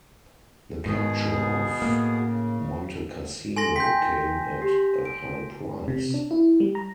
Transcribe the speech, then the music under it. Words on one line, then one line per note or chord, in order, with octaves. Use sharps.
The capture of Monte Cassino came at a high price.
G#2 B2 D#3 B3 G#4
A2 A#3
C#3
A4 G#5 C6 A#6
G5 G#5 C6 G6 B6
G4
D7
C3
D4
E4
G3
A#5